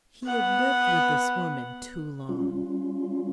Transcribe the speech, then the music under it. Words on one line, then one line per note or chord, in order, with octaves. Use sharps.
He had lived with this woman too long.
B3 F#5
G3 C#4 F4